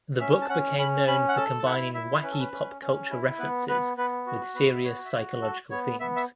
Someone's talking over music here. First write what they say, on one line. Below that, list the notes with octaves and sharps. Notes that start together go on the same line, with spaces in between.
The book became known for combining wacky pop culture references with serious psychological themes.
C#4 E5
A5
C#4 F#5
C#4 B5
C#4 B5
F#5
A4 A5
A5
E4 F#5
E4 E5
C#4 B4
A4
B4
C#4
C#4
E4
B3 B4
B3 B4
B3 B4
F#4
B3 B4
E5
F#4 C#5
E5
F#4 C#5
A4
B3 C#5
B3 E5
E5